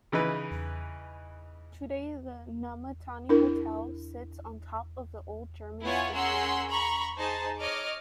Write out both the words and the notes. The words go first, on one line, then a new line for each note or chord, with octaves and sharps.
Today the Namatanai Hotel sits on top of the old German Station house.
C#3 E3 D#4 B4
D4 E4 A#4
B3 E4 F4 C#5 F#5 G#5
C#4 G#4 A#4 F#5 C6 E6
A#5 B5 C#6
D#4 G#4 C5 A5
C#5 D#5 D6 F6